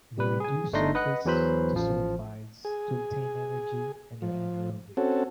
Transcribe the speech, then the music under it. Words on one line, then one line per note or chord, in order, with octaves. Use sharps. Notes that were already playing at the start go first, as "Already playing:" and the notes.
They reduce sulphates to sulphides to obtain energy and are anaerobic.
C3 G3 B4
G#4 G#5
G1 A3 D4 D#4 C6 A#6
B4 D#5 F#5 F#6
E2 E3 F#3 B4 C5 B5
A1 F3
G#4
F3
C4 C#4 F#4 A4